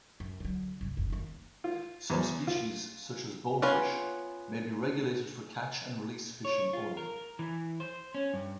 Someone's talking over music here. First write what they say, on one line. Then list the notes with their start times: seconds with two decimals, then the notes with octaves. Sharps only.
Some species such as bonefish may be regulated for catch and release fishing only.
0.20 F#2
0.40 D3 F#3
0.81 C2 G2
0.97 F#1 F2
1.10 D#3 A#3
1.64 F4
2.10 E2
2.47 F4
3.62 B3 C#4 F4 B4
6.45 C#5
6.73 F4
6.97 A#4
7.39 E3
7.80 C5
8.15 C#4
8.34 G2